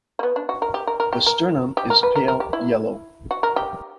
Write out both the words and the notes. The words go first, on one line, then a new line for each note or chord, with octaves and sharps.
The sternum is pale yellow.
A#3
B3
D4
F#4
A#4
G4
A#4
A#4
G4
A#4
G4
A#4
B4
A#4
A#4
G4
E4
F#4
A#4
G4